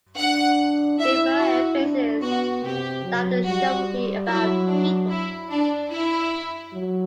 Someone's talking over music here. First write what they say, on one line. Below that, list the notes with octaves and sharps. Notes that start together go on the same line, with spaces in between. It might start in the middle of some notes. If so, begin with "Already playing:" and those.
Rivera emphasized that the show would be about people.
D4 F#5
E4 E5
F#4
D4
B3 F#4
C3 G4
F#3
G3 F#4
F#3 E4
D4
E4
D4
E4
F#3